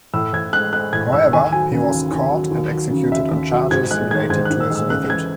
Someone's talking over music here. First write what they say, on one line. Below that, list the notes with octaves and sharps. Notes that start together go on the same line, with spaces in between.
However, he was caught and executed on charges related to his visit.
A2 E6
A2 G#6
G#3 F#6
G#3 F#6
A2 G#6
A2 E6
D#2 G#5
F#3 G#5
C#3
D#2
D#2
F#3
D#2
F#3
C#3
D#2 E5
D#2
F#3
G#2 G#6
G#3 F#6
D#3 G#6
G#2 G#6
F#6
G#2
E6
G#3 E6
C#2 F#6
E3 G#6